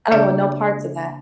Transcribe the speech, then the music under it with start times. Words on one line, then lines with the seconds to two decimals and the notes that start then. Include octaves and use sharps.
I don't want no parts of that.
0.11 C#3 A#3 D4 D5 E5 G6